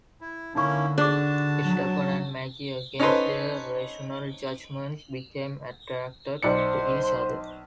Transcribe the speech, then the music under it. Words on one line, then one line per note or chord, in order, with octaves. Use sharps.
Stephen and Maggie, against their rational judgments, become attracted to each other.
E4
D3 A#3 C#4 D#4 E4 C#6
D4 F#4 G#4 A5 D6
F#3
C#4 D#4 A4 B4 C5
B1 C5 D5 C#7